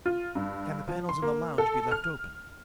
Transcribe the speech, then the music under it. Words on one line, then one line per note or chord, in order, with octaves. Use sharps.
"Can the panels in the lounge be left open?"
F4
G2
F3
C6
A#3
A4
F6